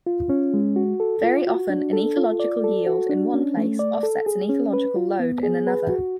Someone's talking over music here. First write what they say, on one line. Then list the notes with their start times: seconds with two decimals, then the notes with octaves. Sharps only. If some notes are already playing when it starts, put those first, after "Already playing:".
Very often an ecological yield in one place offsets an ecological load in another.
0.06 F4
0.29 C#4
0.54 G#3
0.76 F#4
1.00 A4
1.24 F4
1.47 F#4
1.70 D4
1.93 A4
2.17 F4
2.40 D5
2.64 A4
2.87 F#4
3.09 D4
3.34 C#4
3.57 A3
3.79 D5
4.03 A4
4.26 G#4
4.49 C#4
4.73 B4
4.96 F4
5.19 B3
5.43 G#4
5.67 B4
5.89 F#4